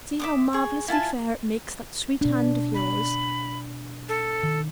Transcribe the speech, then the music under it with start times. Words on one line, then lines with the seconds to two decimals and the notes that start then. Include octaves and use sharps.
See how marvelously fair it makes that sweet hand of yours.
0.19 E5 D6 D#6
0.53 G#4 C#6
0.88 E4 F4 G#5 A5
2.21 B2 D4
2.74 B5
4.09 A4
4.43 D#3